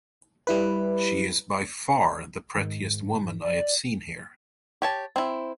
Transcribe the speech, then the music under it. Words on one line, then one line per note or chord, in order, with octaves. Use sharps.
She is by far the prettiest woman I have seen here.
G3 E4 B4
G#2 D#3
D5
G4 C#5 A5
C4 E4